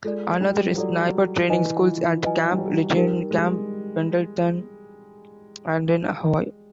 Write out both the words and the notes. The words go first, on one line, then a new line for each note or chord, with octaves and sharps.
Another is Sniper training schools at Camp Lejeune, Camp Pendleton and in Hawaii.
G#3 F4 A4 D5
G3
F#3 F4 A4 D5
E3 B4 D#5 G#5
F3
F#3 B4 D#5 G#5
G3
F#3
G3 D#4 G4 A#4
G#3